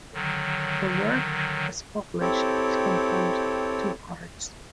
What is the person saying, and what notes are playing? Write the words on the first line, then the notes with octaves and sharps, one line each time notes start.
The work as published is composed of two parts.
D3 D#3 F#3
C4 E4 G4 A4 C#5